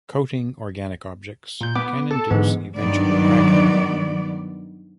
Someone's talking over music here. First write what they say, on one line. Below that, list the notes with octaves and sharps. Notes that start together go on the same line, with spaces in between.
Coating organic objects can induce eventual cracking.
A#2 G6
B3 D6
A4 A5
G#2 D3 E3 B3
G2 D#3 F#3 B3 D5